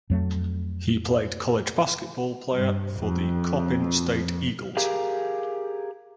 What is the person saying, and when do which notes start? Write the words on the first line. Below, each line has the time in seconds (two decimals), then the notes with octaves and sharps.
He played college basketball player for the Coppin State Eagles.
0.10 F2 F#3 A3
2.54 G2
2.97 F2
4.77 G4 G#4 A#4 F5